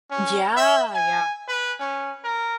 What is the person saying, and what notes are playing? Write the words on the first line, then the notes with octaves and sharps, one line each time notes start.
Yeah, yeah.
C#4
E5
G#5
B4
C#4
A#4